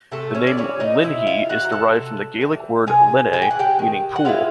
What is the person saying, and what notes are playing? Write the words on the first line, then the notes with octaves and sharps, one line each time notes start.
The name "Linnhe" is derived from the Gaelic word "linne", meaning "pool".
C3 A3 A4
C#4 C#5
D5
E3 G3 C#4 C#5
D#4 D#5
C3 E4 E5
F4 F5
E3 G3 F#4 F#5
A#5
A4 A5
C3
E3 G3
C3 G#4 G#5
E3 G3 G#5
G5
F#5
G4 G5
D#3
F#5
G#3 B3 E4 F4 F5